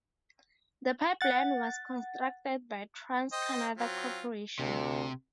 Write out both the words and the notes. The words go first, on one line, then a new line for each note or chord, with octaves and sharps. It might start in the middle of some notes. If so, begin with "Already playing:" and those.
The pipeline was constructed by Trans Canada Corporation.
F#5 A6
C5 D#5 G5
F#3 C4 F4
D2 C3